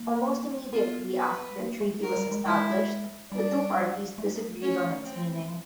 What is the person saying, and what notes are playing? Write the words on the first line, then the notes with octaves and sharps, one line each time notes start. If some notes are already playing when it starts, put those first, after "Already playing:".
Almost immediately after the treaty was established, the two parties disagreed on its meaning.
Already playing: A#3
B3 F4
B4
A#3
A3
A#4
G3
G#3
G#3 E4
G3 D4
A3
C#4
C4